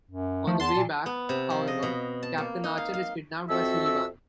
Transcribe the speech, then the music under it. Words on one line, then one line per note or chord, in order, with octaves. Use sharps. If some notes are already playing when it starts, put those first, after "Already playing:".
On the way back, however, Captain Archer is kidnapped by the Suliban.
F#2
F3 A3
E2 A5 C6
A#2
B3
C3
F3
D#5
B2
A5
A#3
D#4
F5
F5
F2 C4 F#4 A4 E5 E6